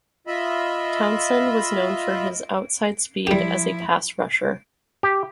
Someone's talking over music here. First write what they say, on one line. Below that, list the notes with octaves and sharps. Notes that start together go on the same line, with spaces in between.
Townsend was known for his outside speed as a pass rusher.
F4 D#5 E5 B5
F3 G3 E4 G4
G4